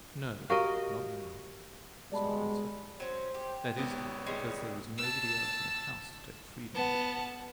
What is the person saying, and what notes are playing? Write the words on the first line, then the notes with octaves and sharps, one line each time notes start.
"No, not now!" was her answer; that is, because there was nobody else in the house to take freedoms with her.
F#4 G4 A#4 D#5 F5 C#6
B2 G3 G#3 D5 A5 B5
F#3 C#4 C5
G4
G#1 B3 C#5
G3 G#3 C#4
A5 E6
B3 A5